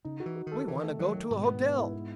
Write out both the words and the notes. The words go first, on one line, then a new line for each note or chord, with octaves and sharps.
"We want to go to a hotel."
C#3 D#4
F#4
E3
F#4
D#3
A4
D#3 E3
A3
D#3 F#3
D#3
G#2 B2
B3
B3
E4
B3